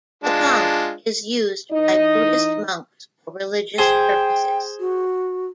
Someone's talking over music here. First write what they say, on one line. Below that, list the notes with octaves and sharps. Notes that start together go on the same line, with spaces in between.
The conch is used by Buddhist monks for religious purposes.
G#3 D4 F4
E3 D#4 D#5
G#4 C5 G5
F#4